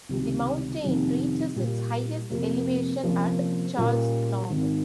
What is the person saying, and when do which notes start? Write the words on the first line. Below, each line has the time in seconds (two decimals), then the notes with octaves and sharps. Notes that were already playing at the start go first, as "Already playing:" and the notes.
The mountain reaches its highest elevation at Charles Knob.
0.09 C#2 C3 D#3 G3
0.83 F2 C3 D#3 G3 C#4
1.56 A#2 G3 A#3
2.30 F2 C3 F3 A#3
3.03 C3 F3 A#3 C#4
3.77 A#2 G3 C#4 G4 A#4
4.50 G#1 G#2 D#3